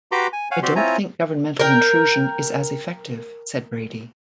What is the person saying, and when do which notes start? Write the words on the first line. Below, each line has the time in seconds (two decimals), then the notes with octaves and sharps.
I don't think governmental intrusion is as effective, said Brady.
0.12 F#4 G4 B4 A#5 C6 D6
0.33 G#5
0.51 C#5 F5 F#5 G#5
0.63 C4 F#4 G4 D5 C6
0.76 C4 E4 F4 C#5 G#5 A#5
1.59 A#4 G5